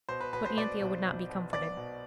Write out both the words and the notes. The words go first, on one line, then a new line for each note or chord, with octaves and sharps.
But Anthea would not be comforted.
B2 C5
B4
B2 B4
C5
B2 D5
B1
B1
B2
B1 D5
B2